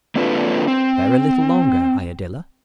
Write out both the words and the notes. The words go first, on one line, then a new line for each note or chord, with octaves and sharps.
Bear a little longer, Iadilla.
A#3 C4 D4 F4 A4 B4
C4